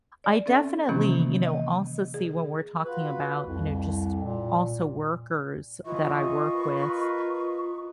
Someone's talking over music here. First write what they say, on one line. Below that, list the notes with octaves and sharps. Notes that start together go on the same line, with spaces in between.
I definitely, you know, also see when we're talking about, you know, just also workers that I work with,
D5
C4 C#4 A4 E5
C3 D#3 E3 A#3 B3 C#4
D#5
G#4
F4 F#4 B4
C2 F2
A#2
D#2 E3 F4 D#5 C#6
A#4 B4